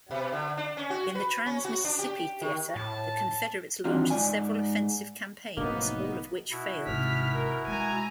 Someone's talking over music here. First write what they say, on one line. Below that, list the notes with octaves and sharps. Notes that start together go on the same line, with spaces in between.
In the Trans-Mississippi Theater, the Confederates launched several offensive campaigns, all of which failed.
B2
D3
D4
C#4
F#4
B4
C#4
F#4
D4
G4
D#3
A2 A5
D#3 E3 F#3 C4 D4 F4
G#2 D5 G#5
F1 A2 F#3 A#3 B3 D#4
B2 E4
G#1 C3 F6 B6
A#4
G#3 G#5 A#5